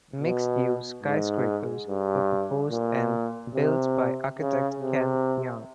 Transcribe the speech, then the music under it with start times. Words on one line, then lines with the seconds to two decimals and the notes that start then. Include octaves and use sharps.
Mixed-use skyscrapers were proposed and built by architect Ken Yeang.
0.20 B2
1.03 G#2
1.87 G2
2.71 A#2
3.54 C3
4.39 C#3
4.80 C3